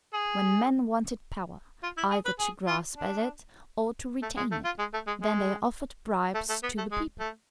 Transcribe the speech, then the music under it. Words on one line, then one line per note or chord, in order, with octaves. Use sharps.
When men wanted power, either to grasp at it or to retain it, then they offered bribes to the people.
G#4
F4
E4
G#4
B4
G#4
F4
D4
A3
G#3
A3
F4
G#3
A3
G#3
G#3
A3
A3
B3
A3
G#3
A3